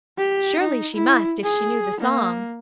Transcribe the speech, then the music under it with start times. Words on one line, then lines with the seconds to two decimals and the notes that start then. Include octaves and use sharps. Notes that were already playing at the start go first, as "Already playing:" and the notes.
Surely she must if she knew the song.
0.18 G4
0.60 D#4
0.95 E4
1.44 G#4
2.01 A#3